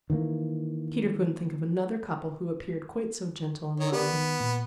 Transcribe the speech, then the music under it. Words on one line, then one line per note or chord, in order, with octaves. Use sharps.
Peter couldn't think of another couple who appeared quite so gentle and loving.
D#3 E3 A3 A#3
D#3 C#5
B3 G4 A#4 D5
D#3
A#2